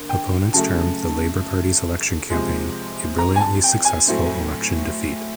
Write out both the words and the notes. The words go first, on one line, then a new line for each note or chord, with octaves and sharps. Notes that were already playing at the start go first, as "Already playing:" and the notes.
Opponents termed the Labour Party's election campaign "a brilliantly successful election defeat".
Already playing: D3 A#3
G5
C#3 F#3 A3 A5
C3 F3 G#3
A#5
G#5
A5
G5
G#5
A2 F#3 A3 C4